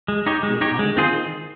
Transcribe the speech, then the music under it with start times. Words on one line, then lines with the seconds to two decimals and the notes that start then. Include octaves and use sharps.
With the economy now?
0.08 G#3
0.26 D#4 G4 C#5
0.43 G#3
0.61 D#4 G4 C#5
0.79 G#3
0.97 C4 F4 G#4 C5